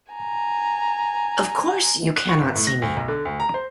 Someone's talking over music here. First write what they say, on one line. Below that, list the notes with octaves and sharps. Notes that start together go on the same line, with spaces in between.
Of course you cannot see me.
G#5 A#5
F#6
C#6
G1
A2
A#6
D2
B1
D3
D2
A#5
C5